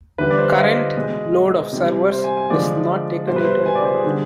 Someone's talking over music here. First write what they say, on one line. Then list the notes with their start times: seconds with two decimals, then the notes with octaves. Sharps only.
Current load of servers is not taken into account.
0.18 D3 G3 B4
0.30 D5
0.38 C5
0.49 F5
0.57 D#5
0.96 B2 G#3
1.73 C3 G3
2.12 C5
2.24 G#5
2.37 G#5
2.50 D3 F3 G#3 D5
3.27 G3 C5
3.31 B2 B4
3.45 C5
3.66 G#5
3.75 D5
3.85 C5
3.95 G#4
4.04 D3 G3